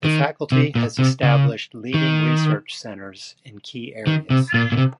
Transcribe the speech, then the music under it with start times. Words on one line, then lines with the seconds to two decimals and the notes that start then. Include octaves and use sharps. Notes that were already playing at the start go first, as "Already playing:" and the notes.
The Faculty has established leading research centres in key areas.
0.05 D#3
0.52 C3
0.75 A#2
0.99 C3
1.23 C#3
1.94 D#3
4.07 D#3
4.30 C3
4.54 A#2
4.72 A#2
4.77 C3